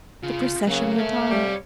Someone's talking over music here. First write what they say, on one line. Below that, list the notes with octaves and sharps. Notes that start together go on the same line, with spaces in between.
The procession went on.
C#3 F4
C#3 F#3 A#3
A3 C#5 F5
C3 G3